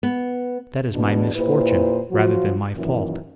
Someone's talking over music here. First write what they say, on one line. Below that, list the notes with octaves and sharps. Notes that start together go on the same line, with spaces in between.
"That is my misfortune, rather than my fault."
B3
E2 B2 G3 D4
A#2 E4 G4 B4 C5
F3 F#3 F4 F#4
F#2 A#2 D#3 E3